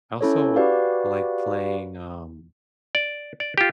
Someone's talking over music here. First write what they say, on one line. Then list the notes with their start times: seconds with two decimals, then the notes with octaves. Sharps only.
I also like playing, um
0.21 C#4 E4 A4 C#5
0.56 F#4 G4 B4 D5 F5
2.95 D5
3.40 D5
3.58 F4 G4